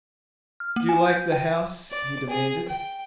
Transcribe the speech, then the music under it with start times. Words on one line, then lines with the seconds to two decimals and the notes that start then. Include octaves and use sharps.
"Do you like the house?" he demanded.
0.60 F6
0.76 A#3
0.89 G#5
1.06 G6
1.32 G5
1.91 D5
2.29 G#4
2.68 G5